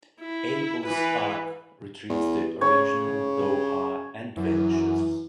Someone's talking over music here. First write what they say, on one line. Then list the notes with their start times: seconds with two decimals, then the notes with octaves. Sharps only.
Abel's Ark retrieves the Original Zohar and vanishes.
0.20 E4
0.85 E3 B4
2.09 E2
2.61 C#3 C#5
4.37 F#2 E3